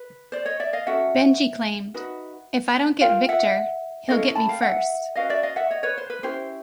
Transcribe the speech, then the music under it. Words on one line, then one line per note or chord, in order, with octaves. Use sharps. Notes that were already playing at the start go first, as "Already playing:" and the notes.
Benji claimed "If I don't get Victor he'll get me first".
Already playing: B4
C5 D5
C#5 D#5
D5 E5
D#5 F5
C#4 F#4 A4 E5 F#5
D#4 F#4 B4
F4 A#4 F5 G5
E5 F#5
C#4 E4 A4 D#5 F5
A5 B5
F5 G5
E5 F#5
C#4 F#4 B4 D#5 F5
D5 E5
D#5 F5
E5 F#5
C#5 D#5
B4 C#5
C5
B4
C#4 E4 G4 C5